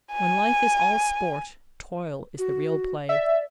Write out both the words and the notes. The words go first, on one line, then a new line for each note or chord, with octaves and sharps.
When life is all sport, toil is the real play.
G#5
F#4
D5 E5